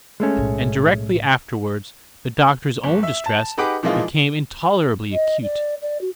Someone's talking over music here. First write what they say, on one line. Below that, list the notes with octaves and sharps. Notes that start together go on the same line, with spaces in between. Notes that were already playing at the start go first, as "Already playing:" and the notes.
And directly afterwards the doctor's own distress became intolerably acute.
G#3 A3 C#4
B1 A2
F#1
E5
A5
D#4 G4 G#4 B4 F#5 D6
A#2 E3 F3 G#3 D#4 F4
D#5
D5
D5
F#4